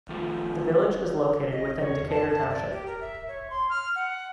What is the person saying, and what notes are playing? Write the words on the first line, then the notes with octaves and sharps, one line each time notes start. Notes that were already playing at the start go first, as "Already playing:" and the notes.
The village is located within Decatur Township.
D#3 F3 A3 B3 F4
D#5
C#5
A5
A5
D5
G4
A#4
E5
C#5
C6
F6
F#5